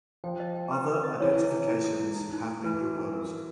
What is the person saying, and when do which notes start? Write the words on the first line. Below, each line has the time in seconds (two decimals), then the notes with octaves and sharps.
Other identifications have been proposed.
0.24 F3 G5
0.40 D#5
0.56 G5
0.71 B4
0.87 B4
1.03 D#5
1.20 E3 C#5
1.36 E4
1.52 E4
1.68 E4
1.84 A4
2.00 E4
2.16 D#4
2.32 D#4
2.48 D#4
2.64 E3 B4
2.81 F#4
2.97 D#4
3.13 A#4
3.28 A#4